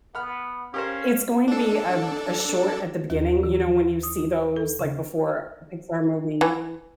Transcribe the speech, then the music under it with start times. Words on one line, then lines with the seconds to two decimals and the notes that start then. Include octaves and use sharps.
it's going to be ab a short at the beginning, you know, when you see those, like, before a Pixar movie.
0.15 B3 F#5 B5 F6
0.74 C#4 G4 A#4 C5 F5
1.48 D4 A4
3.10 D#2
3.43 E3
4.03 D#6
4.56 A4
4.79 C#3
6.41 E3